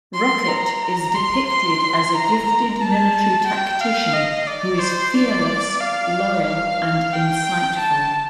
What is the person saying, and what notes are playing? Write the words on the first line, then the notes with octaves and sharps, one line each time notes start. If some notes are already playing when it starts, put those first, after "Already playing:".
Rocket is depicted as a gifted military tactician who is fearless, loyal, and insightful.
C6
A#5
A#5
C6
C6
A#5
A#5
A5
G5
F5
D#5
D5
C5
D5
F5
F5
G5
A5